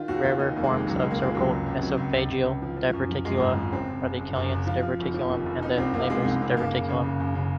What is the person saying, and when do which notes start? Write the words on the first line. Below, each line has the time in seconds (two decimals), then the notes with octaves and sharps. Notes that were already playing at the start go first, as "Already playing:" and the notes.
Rarer forms of cervical esophageal diverticula are the Killian's diverticulum and the Laimer's diverticulum.
Already playing: D#3 F4
0.08 D#2 F#4
0.23 D#2 F4
0.39 D#2 D#4
0.56 F1 A#3
0.64 G#3
0.72 D#2
0.87 C#2 F#3
0.99 G#3
1.03 C#2
1.11 A#3
1.19 F3 G#3
1.35 C#2 F#3
1.51 C#2
1.66 C#2
1.82 C3 F#3
1.97 C#2
2.14 C#2
2.29 C#2
2.45 C#2
2.62 F3
2.77 F3
2.93 F#2
3.09 F3
3.25 F#2 G#3
3.40 G#1
3.57 F3
3.72 F#1 C4
3.88 F#1
4.03 F#1
4.19 F#1
4.36 F#2
4.52 F#1
4.67 F3 F4
4.82 F3
4.99 F1
5.14 F3
5.30 D#2
5.46 F1
5.61 F3 D#4
5.77 C2 C4
5.93 C2 A#3
6.10 C3 G#3
6.25 C2
6.42 C3
6.57 F#1 A#3
6.73 C#3
6.88 C#3
7.04 F#1
7.20 F#1
7.35 C#3